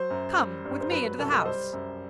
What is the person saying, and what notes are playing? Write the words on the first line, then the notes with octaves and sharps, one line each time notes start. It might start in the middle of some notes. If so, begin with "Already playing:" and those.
Come with me into the house.'
Already playing: F#3 C5
F#2
G3
G2
C5
F#3 B4
B4
C2 A4
A4
D#5
G3 C5
F#2